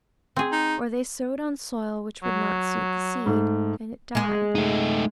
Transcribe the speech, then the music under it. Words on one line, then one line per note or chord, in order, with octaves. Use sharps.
Or they sowed on soil which would not suit the seed, and it died.
C4 G#4
D#4
F#3
G#2 A3
G#3 G#4
A3 D#4